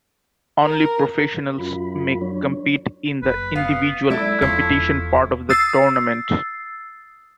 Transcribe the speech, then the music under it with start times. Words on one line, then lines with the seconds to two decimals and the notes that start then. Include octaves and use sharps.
Only professionals may compete in the individual competition part of the tournament.
0.64 A#4
1.58 F#2 F4 B5
2.21 F#3 D4 C#5
3.22 F#1 B4
3.55 B3 F5
4.10 F#3 G#3 E4 A4 D5 E5
4.42 E1 E2 F3 A4 C#5
5.49 D#6 E6 A6 C7